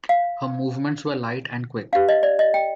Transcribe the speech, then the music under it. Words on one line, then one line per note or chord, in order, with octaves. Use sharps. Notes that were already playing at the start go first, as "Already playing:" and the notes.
Her movements were light and quick.
F5
D4 G4 B4 F5
D#5
D5
D#5
G5